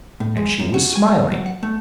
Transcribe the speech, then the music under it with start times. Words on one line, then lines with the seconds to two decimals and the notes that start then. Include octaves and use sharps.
And she was smiling.
0.20 A2
0.37 G#3
0.59 F#2
0.74 F#4
0.96 G#5
1.32 F#3
1.46 F#5
1.63 A3